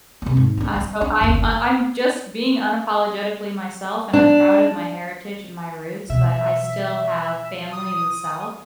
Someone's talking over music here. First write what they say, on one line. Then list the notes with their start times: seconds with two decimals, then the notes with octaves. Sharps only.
Uh, so I'm uh, I'm just being unapologetically myself, and I'm proud of my heritage and my roots, but I still have family in the South
0.22 C3 A#3
0.37 G#2
0.57 C#4 D4
0.76 F3
1.01 D4
1.21 F#1 D2
4.13 D4
6.09 B2 E3 E5
7.72 D#6